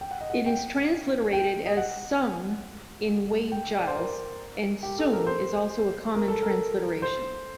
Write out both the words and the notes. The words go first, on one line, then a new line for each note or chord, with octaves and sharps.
It is transliterated as Sung in Wade-Giles, and Soong is also a common transliteration.
G5
F#5
D#5
F#5
G5
G5
D#5
F#5
G5
D5
C5
A#4
G4
A4
A#4
C5
A#4
A4
A#4
C5